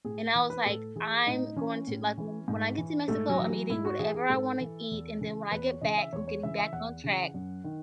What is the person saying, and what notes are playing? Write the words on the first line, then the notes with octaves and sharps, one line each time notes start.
and I was like, "I'm going to, like, when I get to Mexico, I'm eating whatever I wanna eat, and then when I get back, I'm getting back on track."
A2 G#4
E3
B4
A2 A4
E3 G#4
A2 D#4
E3 C#4
A2
E3
G#2
E3
G#2 A3
F#3
E3
F#3
G#2 E4
F#4
E3 G#4
G#4
G#2 A4
E3
E2
C#3 E3
E2 B4
C#5
C#3 E3 D#5
E5
E2 C#5
C#5
C#3 E3 E5
E5
E2 F#5
C#3 E3
F#2
D#3